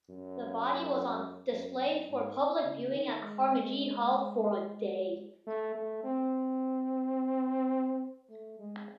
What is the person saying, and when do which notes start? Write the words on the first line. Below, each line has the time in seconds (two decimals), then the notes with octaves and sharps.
The body was on display for public viewing at Karimjee Hall for a day.
0.10 F#2
1.51 F#2
1.79 F#2
2.07 G#2
2.64 C#3
2.92 D#3
3.20 G#3
5.47 A3
5.75 A3
6.04 C4
8.30 A3
8.59 G#3